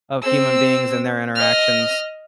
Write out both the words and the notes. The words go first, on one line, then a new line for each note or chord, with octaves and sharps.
of human beings and their interactions.
C4 E6
D#5 F6